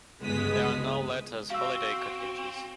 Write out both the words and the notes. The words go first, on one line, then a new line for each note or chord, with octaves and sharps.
They are now let as holiday cottages.
G1 C#2 G#3 B3 D#6 B6
C4 F#4 F5 E6